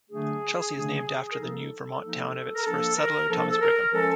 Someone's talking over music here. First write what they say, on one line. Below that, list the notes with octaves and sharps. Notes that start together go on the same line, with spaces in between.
Chelsea is named after the New-Vermont town of its first settler, Thomas Brigham.
D3 F#3 A3 D4 G#4
D3 F#3 A3 D4
A#4
F3 A#3 D#4 A4
F3 A#3 D#4
A#4
F3 A#3 D4 A4
A#4
F3 A#3 D4 A4
A4
A#4
F3 G#3 C#4 A4